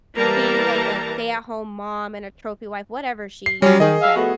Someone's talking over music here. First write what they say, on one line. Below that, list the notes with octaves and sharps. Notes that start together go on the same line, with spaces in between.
be like a stay-at-home mom and a trophy wife, whatever she says,
E3 G3 A#3 A#4 A5 A#5
C7
F#3 G3 C#4
D#3 G#4 D#5
E5 F5
A3 B3 F#4